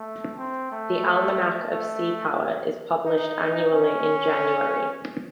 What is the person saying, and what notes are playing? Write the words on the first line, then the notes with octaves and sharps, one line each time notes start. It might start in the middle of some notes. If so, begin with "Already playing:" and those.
The "Almanac of Seapower" is published annually in January.
Already playing: A3
C4
A3
A3
D#4
C#4